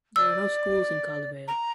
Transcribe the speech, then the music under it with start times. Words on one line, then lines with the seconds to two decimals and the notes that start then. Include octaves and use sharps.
There are no schools in Caldervale.
0.16 D5 E6
1.47 A#5